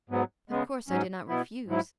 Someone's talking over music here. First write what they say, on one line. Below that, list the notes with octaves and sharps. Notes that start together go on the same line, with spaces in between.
Of course I did not refuse.
G#2 F#3 B3
C#3 G#3 B3
G#2 F#3 C#4
B2 B3 E4
G#2 F#3 E4